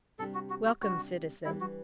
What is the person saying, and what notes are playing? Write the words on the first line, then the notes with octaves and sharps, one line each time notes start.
"Welcome, citizen."
C3 G3 D4 G4 A4
F#4
F#4
F#4
C3 G3 D4 F#4 G4
E3 G3 D4 E4 G4
F#4